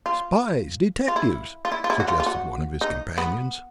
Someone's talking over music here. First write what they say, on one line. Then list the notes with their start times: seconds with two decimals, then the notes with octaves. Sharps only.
"Spies--detectives!" suggested one of his companions.
0.06 F4
1.08 F4
1.16 E4
1.65 F4
1.72 E4
1.84 F4
1.90 E4
2.00 F#4
2.08 F4
2.20 F4
2.26 F#4
2.81 D#4
3.18 B3